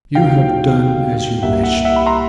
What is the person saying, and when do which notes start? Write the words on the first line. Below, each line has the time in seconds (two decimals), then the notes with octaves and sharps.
You have done as you wished.
0.15 D#2 D#3 F#3 F5 G5
1.42 C2 A#2 G3 A#3 E5 F#5
1.63 E5 F#5
1.85 E5 F#5
1.96 B5
2.07 A#5 C6